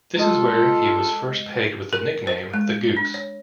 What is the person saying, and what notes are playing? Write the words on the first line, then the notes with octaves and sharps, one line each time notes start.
This is where he was first pegged with the nickname "The Goose".
G#3 F4 A4 D#5
A#4
C5
G#3
D4
C#5